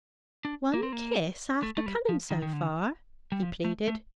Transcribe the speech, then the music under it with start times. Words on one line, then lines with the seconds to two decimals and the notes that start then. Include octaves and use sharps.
"One kiss after coming so far," he pleaded.
0.45 D4
0.74 A#3
0.83 C4
0.92 A#3
1.63 A3
1.77 A3
1.86 G3
2.09 F3
2.31 D#3
2.42 D#3
2.53 D3
3.32 G3
3.43 F3
3.64 A3
3.88 A3